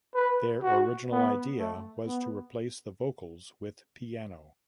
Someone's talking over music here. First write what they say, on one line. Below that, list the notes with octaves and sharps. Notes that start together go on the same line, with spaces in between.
Their original idea was to replace the vocals with piano.
B4
F#4
B3
A3
B3